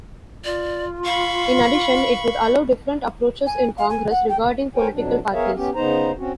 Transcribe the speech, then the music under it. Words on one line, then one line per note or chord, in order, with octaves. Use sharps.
In addition, it would allow different approaches in congress, regarding political parties.
F4 D5
F5 B5 C#6
G#5
F5
G#5
F#5
G5
A#4 C5 C#5 G5 G#5
F2 B2 F#3 D4
B3 G#4 A#4 C#5 E5 F5
B3 C#4 G4
C#3 B3 D#4 C5 A#5
C4 C#4 F#4